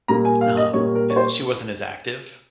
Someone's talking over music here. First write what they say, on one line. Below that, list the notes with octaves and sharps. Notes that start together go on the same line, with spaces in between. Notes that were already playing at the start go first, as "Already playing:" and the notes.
um, e She wasn't as active,
A#2 G3 A#3 A#5
G#5
F5
D#5
A#2 G3 A#3 C#5
A#4
C#5
C5